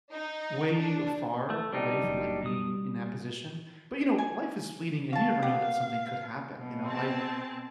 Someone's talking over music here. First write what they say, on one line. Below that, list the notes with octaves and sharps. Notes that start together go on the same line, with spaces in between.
way far away from, like, being in that position, but, you know, life is fleeting, and you never know that something could happen, you know, I
D#4
D4
A3
G3 D4 D#4
F#1 F#3
G3 D#6
G#5
F#4 F5 A5
G4 F#5
B2
C4 G#4 A5